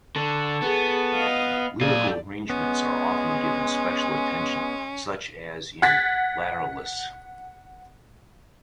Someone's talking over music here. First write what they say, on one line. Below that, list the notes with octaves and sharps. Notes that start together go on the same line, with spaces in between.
Lyrical arrangements are often given special attention, such as in "Lateralus".
D3 A4 A5 C#6
B3 G#4
D#5 F5
A#2 A4 D5 F5 D#6 G#6
G#3 B3 C#4
F#5 F#6 G#6 A6 B6